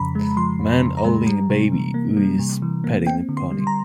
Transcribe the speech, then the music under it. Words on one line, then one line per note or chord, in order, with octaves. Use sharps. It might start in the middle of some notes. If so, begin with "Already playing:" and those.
A man holding a baby who is petting a pony.
Already playing: F2 C#3 F3 A#5 B5
G#3
F3 C6
F2
C#3
A#5
G#3
G3
C3
E3
A#3
G3
C3
E3
A#3
C4 G5
D3
C6
G3
A#5